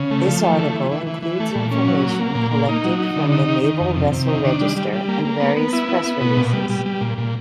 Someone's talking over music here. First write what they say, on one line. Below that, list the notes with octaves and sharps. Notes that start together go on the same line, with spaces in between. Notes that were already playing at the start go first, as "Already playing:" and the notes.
This article includes information collected from the Naval Vessel Register and various press releases.
Already playing: C#3
A3
F3
A3
E3
E3
E3
E3
E3
A3
A#2
C#4
F#3
A#3
A#3
A#2
A#3
D#4
F#3
D#4
D3
D#4
D#3
D#3
F2
C3
C3
D#3
D4
G3
G3
G3
A#3
A#3
B3
B3
E4
B3
B3
B2
A#2
G3
G3
G3
A#2
A#2